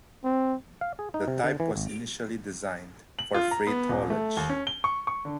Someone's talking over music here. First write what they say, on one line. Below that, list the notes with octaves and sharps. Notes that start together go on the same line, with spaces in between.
The type was initially designed for freight haulage.
C4
F5
G#4
D#4
C3
D3
E3
G#1
F#7
F4
A#5
B3
D#1
A3
D#2
C#4
G7
C#6
C#6
D3